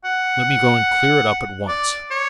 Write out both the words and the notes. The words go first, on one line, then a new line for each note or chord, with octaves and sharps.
Let me go and clear it up at once.
F#5
D5
C#5